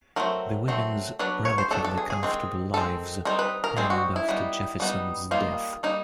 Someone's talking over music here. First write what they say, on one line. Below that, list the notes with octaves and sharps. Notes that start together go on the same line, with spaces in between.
The women's relatively comfortable lives end after Jefferson's death.
F#3 A3 C4 A#4
F#3 A3 C4
F#3 B3 D4 B4
C#5
C5
F#3 B3 D4 A4
A4
G#4
G#4
D#3 G#3 C4
D#3 G#3 C4 A4
G3 C4 D#4 A#4
B4
A#4
G3 C4 D#4 G#4
F#4
E4
G3 B3 D#4
G3 B3 D#4
G3 A#3 D#4 F4
G3 A#3 D#4